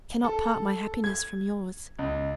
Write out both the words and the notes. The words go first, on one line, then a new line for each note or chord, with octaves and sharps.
I cannot part my happiness from yours.
A4
G#6
C#2